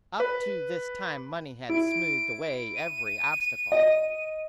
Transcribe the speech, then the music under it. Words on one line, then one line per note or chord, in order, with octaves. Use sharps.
Up to this time money had smoothed away every obstacle.
B4
E4 D7
D#7
D#5